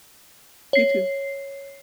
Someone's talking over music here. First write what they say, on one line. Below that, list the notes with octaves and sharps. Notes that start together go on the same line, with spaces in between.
You too.
C#5 C7